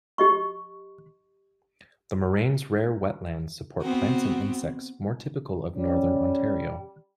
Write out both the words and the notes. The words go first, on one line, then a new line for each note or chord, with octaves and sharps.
The moraine's rare wetlands support plants and insects more typical of northern Ontario.
G4 D#5 C#6
B3 C4 F#4
G3 C#4